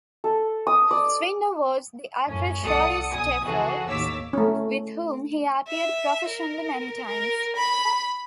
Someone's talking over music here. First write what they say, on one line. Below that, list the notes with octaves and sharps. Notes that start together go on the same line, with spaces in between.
His widow was the actress Shirley Stelfox, with whom he appeared professionally many times.
A4
D#6
D5
F#2 A2 C#4
C2 A4 D5 F#5 D#6 C#7
B1 G#5 D#6
C#3 E3 F#4 G#4 A4
A1 D#2 C#5 D6 E6 B6
A3 C#4
E5
A#4
A#4
B5